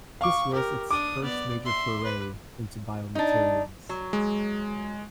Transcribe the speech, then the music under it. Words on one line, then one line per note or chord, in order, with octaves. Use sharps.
This was its first major foray into bio-materials.
F5 C#6 D6
G4 A#4
D4 D6 D#6
B3 D5
E5 C6
B4
D4 D#4
F#3
G#3